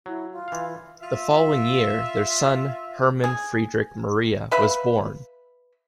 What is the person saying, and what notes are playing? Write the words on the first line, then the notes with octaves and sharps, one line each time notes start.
The following year, their son Hermann Friedrich Maria was born.
F#3 E4
F4
E3 F5
F4 E5
G#4
B4 E5 F5 B5